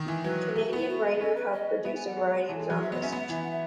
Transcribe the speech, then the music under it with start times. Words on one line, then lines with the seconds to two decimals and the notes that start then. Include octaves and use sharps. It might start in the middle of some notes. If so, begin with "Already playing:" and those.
Canadian writers have produced a variety of genres.
Already playing: D#3
0.08 E3
0.24 F#3 B4
0.56 A3 G#4
0.68 F#4
0.73 B3 E4
0.89 F#4
1.05 G#4
1.20 C#4 A4
1.36 B4
1.52 D#5
1.85 B3 E5
1.95 G#5
2.06 F#5
2.17 G#3
2.48 E3 A5
2.60 G#3 G#5
2.70 F#3
2.81 G#3 E5
2.91 B3 D#5
3.02 C#4 E5
3.10 B3 F#5
3.18 E5
3.26 E3 F#5
3.34 E5
3.43 F#5
3.51 E5